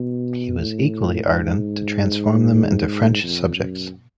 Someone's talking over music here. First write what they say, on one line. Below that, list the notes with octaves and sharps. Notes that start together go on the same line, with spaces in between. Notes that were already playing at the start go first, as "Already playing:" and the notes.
He was equally ardent to transform them into French subjects.
Already playing: B2
A2
G#2
F2
F#2